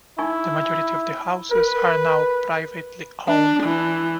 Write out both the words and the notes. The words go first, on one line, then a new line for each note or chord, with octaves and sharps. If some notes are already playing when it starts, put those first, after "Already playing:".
The majority of the houses are now privately owned.
D#4 E4 G#5 C#6
A#4 B4
D4
E3